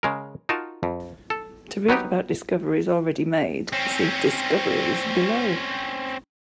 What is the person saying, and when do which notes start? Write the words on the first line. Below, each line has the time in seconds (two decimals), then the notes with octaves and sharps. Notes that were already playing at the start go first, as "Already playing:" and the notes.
To read about discoveries already made, see "Discoveries" below.
0.03 C#3 G#3 A#4
0.49 D#4 F4 F#4 A#4 A5
0.83 F2
1.30 A4
1.89 F#3 B3 D#4 G4
3.73 C4 C#4